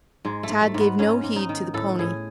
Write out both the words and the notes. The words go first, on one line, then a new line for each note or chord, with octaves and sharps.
Tad gave no heed to the pony.
G#2 G#3
A3
G#2
A3
G#2
B3
G#2 C#4
G#2
D#4
D#3
A2 A4
A2 G#4